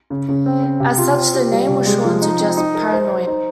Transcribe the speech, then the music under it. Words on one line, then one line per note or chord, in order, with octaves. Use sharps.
As such, the name was shortened to just "Paranoia".
C#3
C#3
C4
C4
C3
F4
C4
G4
G3
C3
G#3
F3
D#4
C4
D#4
A#4
C5
C5
D#4